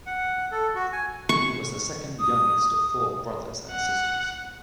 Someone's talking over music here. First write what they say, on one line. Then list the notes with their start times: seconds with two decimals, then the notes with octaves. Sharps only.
He was the second youngest of four brothers and sisters.
0.06 F#5
0.52 A4
0.75 F#4
0.93 G#5
1.29 C#6
2.20 D#6
3.71 F#5